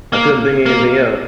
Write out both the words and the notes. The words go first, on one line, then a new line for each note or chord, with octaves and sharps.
I couldn't think anything else.
A#3
A#3